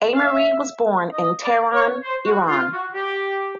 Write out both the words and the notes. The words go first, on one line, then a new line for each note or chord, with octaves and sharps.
Ameri was born in Tehran, Iran.
F5
E5
D#5
D5
C#5
C5
F#4
F4
F#4
G4